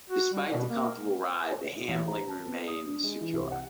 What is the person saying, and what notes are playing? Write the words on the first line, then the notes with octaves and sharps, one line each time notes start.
Despite the comfortable ride, the handling remained secure.
F#4
G3
B2
A#3
A1
A#5
A5
B3
D#6
D4
G#3
E3
C2
F#5